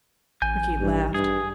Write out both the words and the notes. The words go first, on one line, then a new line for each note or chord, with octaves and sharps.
Rickie laughed.
A1 G#5 G6
G2
G2 G#4